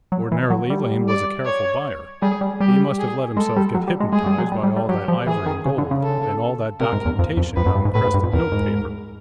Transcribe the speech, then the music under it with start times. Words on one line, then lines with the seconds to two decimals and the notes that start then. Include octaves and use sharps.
Ordinarily, Lane was a careful buyer; he must have let himself get hypnotized by all that ivory and gold, and all that documentation on crested notepaper.
0.12 F#3
0.32 E3
0.50 F#3
0.70 G3
1.08 D5
1.45 C#5
2.22 G3 G#4
2.41 G3
2.60 G3 G4
2.99 G#4
3.37 G#3 A4
3.56 G3
3.75 F#3
3.87 G3
4.00 G#3
4.13 G#3 G#4
4.26 G3
4.38 F#3
4.52 G3
4.63 G3
4.76 G3
4.89 F#3 G4
5.08 F3
5.27 E3 G#4
5.46 D#3
5.65 C#3
5.78 D3
5.91 C#3
6.03 A4
6.80 C3 A#4
6.93 G#2
7.05 E2
7.19 F2
7.37 F2
7.56 F2 B4
7.66 F#2
7.75 G2
7.85 G#2
7.94 A2 B4
8.05 G#2
8.14 G2
8.24 F2
8.33 E2 A#4
8.52 G#2